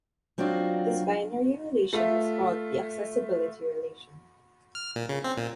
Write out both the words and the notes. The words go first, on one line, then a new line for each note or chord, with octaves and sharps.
This binary relation is called the "accessibility relation".
F#3 C4 D4 D#4 F4 F#4
A3 F4 E5
F6
A#2
C#3
C4
A#2